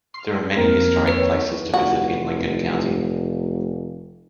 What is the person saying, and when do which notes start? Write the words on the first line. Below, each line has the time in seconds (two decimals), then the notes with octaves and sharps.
There are many historic places to visit in Lincoln County.
0.56 F2 A#3 C4 A#4
1.08 B4 C#5
1.74 F1 F#4